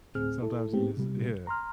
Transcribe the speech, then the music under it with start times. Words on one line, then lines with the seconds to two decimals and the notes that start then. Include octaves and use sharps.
sometimes you just Yeah.
0.15 D2 A2 C4 G#4 F6
0.42 E4 A4
0.73 A2 G#3 A3 B3 C4 G4
0.97 C3 G3
1.47 A#5 C6 F6